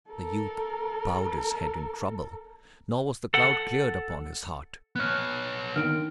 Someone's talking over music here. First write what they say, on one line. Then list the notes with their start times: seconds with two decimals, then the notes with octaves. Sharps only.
But the youth bowed his head in trouble, nor was the cloud cleared upon his heart.
0.10 A4 A#4
3.34 A4 F#5
4.96 B3 C#5 F6 F#6
5.76 D#3 F6 D7